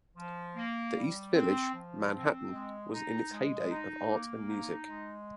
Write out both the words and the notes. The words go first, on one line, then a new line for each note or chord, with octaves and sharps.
The East Village, Manhattan was in its heyday of art and music.
F3
A#3
G3
C4
F3
C4
G#3
D#4
G#3
D#4
A#3
D#4
G#3